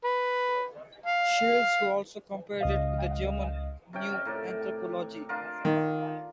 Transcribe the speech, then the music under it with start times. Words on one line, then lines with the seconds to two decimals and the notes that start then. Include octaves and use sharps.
Shields, who also compared it with the German "Neue Anthropologie".
0.04 B4
1.06 F5
2.61 C#2 D#5 F5
3.93 C3 C#4 G5
4.25 A2 A#4 D5
5.29 D4 F4 A#4
5.65 D#3